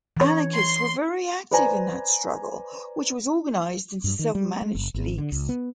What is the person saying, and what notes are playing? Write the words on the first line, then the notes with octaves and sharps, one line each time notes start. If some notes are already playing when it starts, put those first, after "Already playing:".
Anarchists were very active in that struggle, which was organised into self-managed leagues.
E3 C#5
C6
B4 C5 D5 G#5 A#5
G2
D#3
G3
G#3
F#1
G#1
D3
C#2
B3